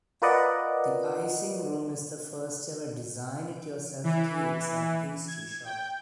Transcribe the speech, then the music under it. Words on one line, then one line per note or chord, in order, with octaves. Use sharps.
The Icing Room is the first-ever "Design-It-Yourself" cakes and pastry shop.
F4 A#4 B4 D5 D#5 F#5
E3
G#6
G5